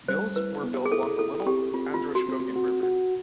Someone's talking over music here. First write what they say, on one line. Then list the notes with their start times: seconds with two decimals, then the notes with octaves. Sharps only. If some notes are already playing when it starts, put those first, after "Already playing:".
Mills were built along the Little Androscoggin River.
0.08 G3 C5
0.36 E4 B4
0.63 B3
0.86 G#4
0.91 E4 A4
1.19 E4 A4
1.46 C4 G4
1.74 C4 F4
1.94 F4
2.01 C4
2.15 F#4
2.28 C4
2.56 F#4
2.83 F#4